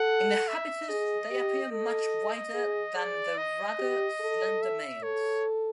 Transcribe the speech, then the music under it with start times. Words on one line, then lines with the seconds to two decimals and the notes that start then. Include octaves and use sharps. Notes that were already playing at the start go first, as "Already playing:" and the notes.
In the habitus they appear much wider than the rather slender males.
Already playing: A4 F#5
0.48 E5
0.89 G#4 D#5
1.31 G4
1.72 A4 D#5
2.54 G#4
2.95 G#4 D5
3.38 D#5
3.79 G4
4.20 A4
4.62 E5
5.03 A4 C#5